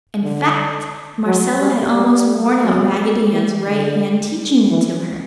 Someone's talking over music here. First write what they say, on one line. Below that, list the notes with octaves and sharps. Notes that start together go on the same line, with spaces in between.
In fact, Marcella had almost worn out Raggedy Ann's right hand teaching it to her.
D3
F#3
G3
G3
F#3
E3
D3
E3